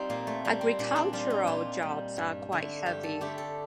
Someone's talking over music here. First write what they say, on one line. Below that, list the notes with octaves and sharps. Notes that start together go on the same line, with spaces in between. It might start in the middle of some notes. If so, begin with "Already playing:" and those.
Agricultural jobs are quite heavy.
Already playing: G3 C4 D#4 F4
A#2 A#3
A3
G3 A#3
C4
A#2 D4
D4
G3 F4
D#4
A#2 F4
G3
G2
D3 A3
G2 G4
A4
D3 A3 G4
A4